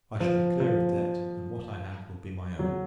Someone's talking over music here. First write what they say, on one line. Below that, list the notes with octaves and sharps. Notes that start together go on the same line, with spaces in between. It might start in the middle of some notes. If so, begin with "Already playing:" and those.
I shall be clear of debt, and what I have will be my own.
F3
F3
F#3